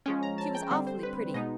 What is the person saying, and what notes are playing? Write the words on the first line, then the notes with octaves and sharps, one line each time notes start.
She was awfully pretty.
F3 G#3 C#4 G5
A#5
A5
G5
D3 G3 C4 F#5
C5
B4
B2 G#3 B3 D#4 D#5